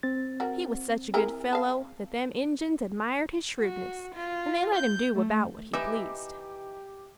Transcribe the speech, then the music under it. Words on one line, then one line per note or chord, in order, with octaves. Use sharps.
He was such a good fellow that them Injuns admired his shrewdness, and they let him do about what he pleased.
C4 A6
F#4 A#4
E4 G#4 A#4
F5 A5
F#4
F4
G6
A3
E3 D#4 G4 E5 D6